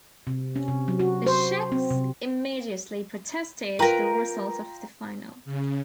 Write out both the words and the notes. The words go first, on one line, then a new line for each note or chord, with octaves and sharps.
The Czechs immediately protested the result of the final.
C3
C#4
C3
F#3
F#4
C5
C4
C3
F4 A#4 B4 G5 A#5
C#3